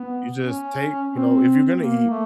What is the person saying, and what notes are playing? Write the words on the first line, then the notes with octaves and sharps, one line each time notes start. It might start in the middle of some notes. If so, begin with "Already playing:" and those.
You just take you know, if you're gonna eat,
Already playing: B3
C#4
C4
A#3
A3